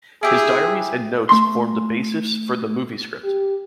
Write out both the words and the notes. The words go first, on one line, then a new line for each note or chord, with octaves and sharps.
His diaries and notes formed the basis for the movie script.
E4 G4 G#4 E5
A3 C6
G4